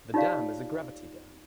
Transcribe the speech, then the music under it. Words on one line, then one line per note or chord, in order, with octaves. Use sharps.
The dam is a gravity dam.
D#4 F4 G4 C#5 D5 F5